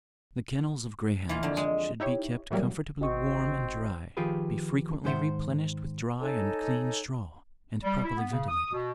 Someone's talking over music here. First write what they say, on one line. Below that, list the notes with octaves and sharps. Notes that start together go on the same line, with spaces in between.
The kennels of greyhounds should be kept comfortably warm and dry, be frequently replenished with dry and clean straw, and properly ventilated.
E3 A#3 F4
F2 D3
G#3
D#4 E4 G4 C#5
A2 E3 F#3 G3 A#3
G#1 C4 F#4 D#5 C#6
D#3 F3 F4 G4 G#4 B4
G#2 D#3 G4 C5 E5 F#5
D#4 A4 C#5 G#5
G3
E4
B3
C#3
D#6
B2